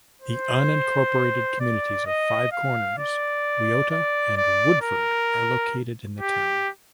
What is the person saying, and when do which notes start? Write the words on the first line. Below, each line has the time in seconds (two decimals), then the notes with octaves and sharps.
The unincorporated communities of Five Corners, Wiota, and Woodford are located in the town.
0.22 C5
1.60 D5
2.06 D#5
2.52 F5
2.98 D5
3.90 D5
4.36 D5
4.82 A#4
6.21 G4